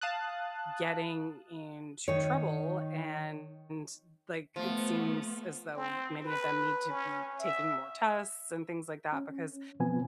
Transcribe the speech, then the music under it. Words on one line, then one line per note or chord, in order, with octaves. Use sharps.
getting into trouble, and, like, it seems as though many of them need to be taking more tests and things like that, because
F5 A5 D#6 F#6
D#3 C#5
F3 A3 B3
C4
B4
C#4
E5
C#4
B2 F3 B3 C4 G#5